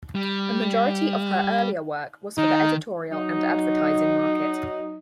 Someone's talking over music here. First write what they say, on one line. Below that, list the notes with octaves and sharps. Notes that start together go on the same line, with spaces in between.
A majority of her earlier work was for the editorial and advertising market.
G3
D#3 D#4
F#3 D#4